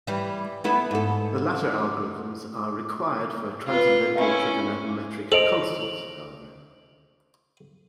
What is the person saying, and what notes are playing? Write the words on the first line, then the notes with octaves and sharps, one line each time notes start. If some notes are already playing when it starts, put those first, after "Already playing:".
The latter algorithms are required for transcendental trigonometric constants, however.
E3 G3
B3 E4 A4
G#2 A4
F4 B4
C#4 E4
A4 C5 D#5 D7 F7 F#7